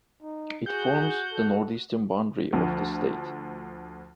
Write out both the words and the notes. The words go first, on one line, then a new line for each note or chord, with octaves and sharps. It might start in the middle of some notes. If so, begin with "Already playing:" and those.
It forms the northeastern boundary of the state.
D#4
F#4 G#4 F#5 G6
A4
D2 F3